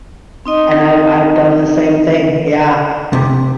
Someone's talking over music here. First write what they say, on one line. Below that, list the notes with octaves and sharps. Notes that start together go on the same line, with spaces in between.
and I've I've done the same thing, yeah.
C4 D#4 D#5
C3